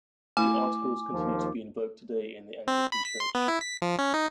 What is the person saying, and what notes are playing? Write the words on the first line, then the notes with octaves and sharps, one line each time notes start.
The Articles continue to be invoked today in the Anglican Church.
A3 E4 G#5 D6
D#2 F3
C4
B5
B6
C6
B3
E4
B6
F3
C#4
D#4